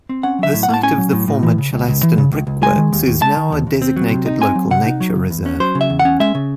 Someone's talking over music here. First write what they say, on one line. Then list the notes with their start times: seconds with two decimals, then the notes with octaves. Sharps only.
The site of the former Chellaston Brickworks is now a designated Local Nature Reserve.
0.09 C4
0.23 C#4 F#5
0.39 F#3 E5
0.54 A2
0.63 F#5
0.69 A2
0.74 A5
0.83 C#4 G#5
0.98 F#3
1.13 A2
1.28 A2
1.43 E3
1.58 C#3
1.73 C#2
1.88 C#2
2.03 E3
2.18 C#3
2.32 C#2
2.47 C#2
2.62 G#3 G#5
2.77 D#3
2.92 D#2
3.07 D#2
3.22 G#3 A5
3.37 D#3
3.52 D#2
3.67 D#2
3.82 C4
3.96 F#3
4.11 C3
4.26 D#4
4.41 C4 G#5
4.55 F#3
4.71 C3 F#5
4.86 D#4
5.00 F#3
5.15 C#3
5.30 E2
5.46 C#4
5.60 F#3 C5
5.75 C#3
5.81 E5
5.90 E2
5.99 F#5
6.05 C#4
6.20 G#3 E5
6.35 C#3